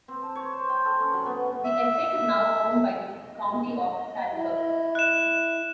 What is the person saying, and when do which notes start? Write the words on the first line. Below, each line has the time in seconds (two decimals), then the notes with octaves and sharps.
The estate is now owned by the county of Salzburg.
0.08 C4
0.23 A5
0.35 C#5
0.53 C5
0.70 G5
0.85 A4
1.00 C#4
1.13 F#3
1.26 B3
1.64 E5
3.09 D#5
4.33 E4
4.95 F#6 E7